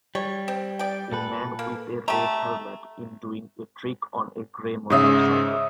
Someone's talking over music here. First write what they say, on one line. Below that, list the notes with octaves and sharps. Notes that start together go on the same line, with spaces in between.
A man with a red helmet in doing a trick on a gray motorcycle.
G3 C#5
C4
D5 G5
A#2 A4 B4
A#3
A3 G4 A#5
G#2 C#3 C#5 D#5 E5